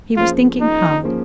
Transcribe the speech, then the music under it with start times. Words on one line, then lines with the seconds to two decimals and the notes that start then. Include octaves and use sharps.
He was thinking hard.
0.17 F3 A#3 C#4 F4 G#4 C5
0.61 D#4
1.03 F3 A#3 C#4 G#4 C5